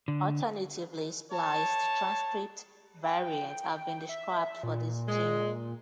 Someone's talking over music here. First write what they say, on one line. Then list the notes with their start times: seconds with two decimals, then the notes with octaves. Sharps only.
Alternatively spliced transcript variants have been described for this gene.
0.08 D3
1.31 C#5 A5
3.05 G5
4.09 E5
4.63 A#2
5.08 G#3